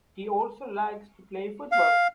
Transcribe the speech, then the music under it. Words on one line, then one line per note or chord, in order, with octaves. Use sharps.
He also likes to play football.
F5